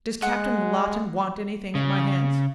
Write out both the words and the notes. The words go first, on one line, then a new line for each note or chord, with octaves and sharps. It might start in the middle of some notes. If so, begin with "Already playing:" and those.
"Does Captain Lawton want anything at my hands?"
G#3 F#5
C#3